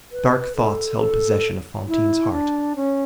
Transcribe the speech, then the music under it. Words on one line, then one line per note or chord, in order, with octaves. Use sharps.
Dark thoughts held possession of Fantine's heart.
B4
A4
A4
E4
D4
C#4